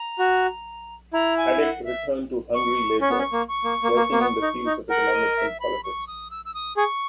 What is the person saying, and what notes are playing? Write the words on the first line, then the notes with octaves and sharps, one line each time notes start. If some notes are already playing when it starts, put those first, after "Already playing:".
Hadik returned to Hungary later, working in the fields of economy and politics.
Already playing: A#5
F#4
E4 A#5
G#5
F#5
E5
C#6
C#4 C#6
B3
C#4
A#3
C#6
A#3
A#3
A#3
A#3
B3
D#4
D#4
A#4 F#5
D#5
E5
B5
C#6
D#6
E6
E6
D#6
G#4 C#6